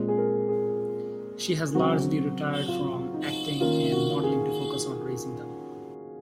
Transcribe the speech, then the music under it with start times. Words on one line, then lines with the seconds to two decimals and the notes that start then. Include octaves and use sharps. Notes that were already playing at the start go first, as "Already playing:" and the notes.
She has largely retired from acting and modelling to focus on raising them.
Already playing: A#2 G#3 C4
0.08 G#4
0.18 A#4
0.49 G#4
1.75 C#3 F#3 C4 F#4
2.68 F4
3.14 D#4
3.60 D#3 A#3 C#4 F4
3.92 F#4
4.23 G#4